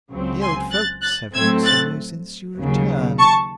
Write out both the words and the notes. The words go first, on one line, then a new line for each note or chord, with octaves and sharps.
"The old folks have not seen you since your return."
C#2 C#3 F#3 C4
G#5 C6
F#6 A6
F#6 A6
A2 F#3 A3 C4 E6 G#6
F#6 A6
D#2 C#3 F#3
A5 C#6